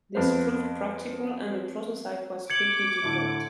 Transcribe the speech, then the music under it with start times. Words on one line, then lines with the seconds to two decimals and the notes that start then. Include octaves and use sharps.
This proved practical and a prototype was quickly developed.
0.15 F2 B3 C5
2.50 D6 G#6 C#7 F#7
3.02 A2 D3 E4